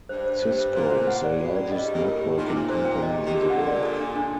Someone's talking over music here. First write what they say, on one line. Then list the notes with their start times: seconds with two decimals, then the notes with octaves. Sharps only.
Cisco is the largest networking company in the world.
0.09 G2 C5
0.26 C5
0.42 G2 C5
0.58 C5
0.74 A#2 C5
0.90 C5
1.07 A2 F#5
1.24 D5
1.40 F#4
1.56 D5
1.65 F#2
1.72 G2 D#5
1.88 G4
1.94 A#2
2.04 A2 A#4
2.21 G4
2.37 A#2 D#4
2.46 C3
2.53 A#2 D#4
2.69 A#2 C5
2.85 G5
3.02 C3 D#5
3.18 G4
3.26 D#3
3.34 A#2 D3 G4
3.50 F#5
3.67 D5
3.83 A4
4.00 D4
4.16 D4